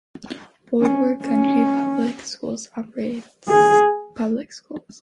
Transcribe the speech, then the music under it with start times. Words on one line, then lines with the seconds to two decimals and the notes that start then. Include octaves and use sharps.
Broward County Public Schools operates public schools.
0.81 C#4
1.24 C#4
3.49 G#4